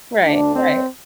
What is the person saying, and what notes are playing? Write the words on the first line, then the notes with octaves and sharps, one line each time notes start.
Right, right.
D2 D3 D4
C4